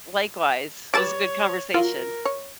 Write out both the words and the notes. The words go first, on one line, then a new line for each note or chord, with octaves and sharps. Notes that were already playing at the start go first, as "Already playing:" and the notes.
Likewise. It was a good conversation.
G3 A4 B4 C#5 D6 A6 E7
F#3 F4 A#4
C#5